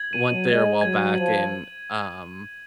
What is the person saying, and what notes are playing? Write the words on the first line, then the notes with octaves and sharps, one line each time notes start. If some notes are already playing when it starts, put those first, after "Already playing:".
went there a while back, and, um,
Already playing: G#6 F#7
B2 D#7
F#3
G#3 G#6
F#3 G#6
F3 F#7